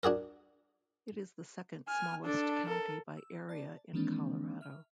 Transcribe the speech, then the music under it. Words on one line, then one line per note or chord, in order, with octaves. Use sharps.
It is the second-smallest county by area in Colorado.
D4 F#4 G#4 A#4
G#5 F6
D4 A4
A4 A#4
E6
D5 A5
D#3 E3 G#3 A#3 C4 D4
E5 F6